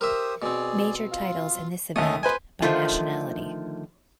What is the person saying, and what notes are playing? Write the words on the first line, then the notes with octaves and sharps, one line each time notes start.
Major titles in this event, by nationality.
G4 A#4 C5 E5 D#6
B2 C4 G#4 D5
F4 F5
D#2 A3 C#4 A4 D#5 D#6
B4 C5 D#5 G#5
D3 D#3 F3 A3 F4